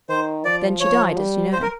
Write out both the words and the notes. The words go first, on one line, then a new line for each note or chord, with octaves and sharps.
Then she died, as you know.
D#3 C5
F3 D5
F3 C#5
G3
C5
A#4